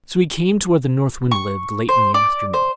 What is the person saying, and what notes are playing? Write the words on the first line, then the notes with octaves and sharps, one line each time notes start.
So he came to where the North Wind lived late in the afternoon.
C#6
C5
D5
C5